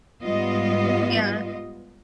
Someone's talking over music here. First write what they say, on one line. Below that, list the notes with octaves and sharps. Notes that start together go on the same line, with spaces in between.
Hmm, yeah.
G#2 G3 B3 F4 D#5